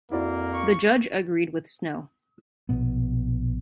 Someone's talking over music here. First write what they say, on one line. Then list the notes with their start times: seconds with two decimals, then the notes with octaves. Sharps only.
The judge agreed with Snow.
0.11 F2 A#3 E4 F#4 D5
0.54 C#6
2.69 A#1 B2 B3